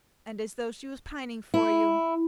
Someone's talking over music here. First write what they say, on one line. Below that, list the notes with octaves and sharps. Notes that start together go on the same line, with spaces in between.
"And as though she was pining for you."
E4